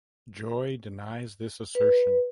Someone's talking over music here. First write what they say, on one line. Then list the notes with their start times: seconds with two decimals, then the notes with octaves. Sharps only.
Joy denies this assertion.
1.75 B4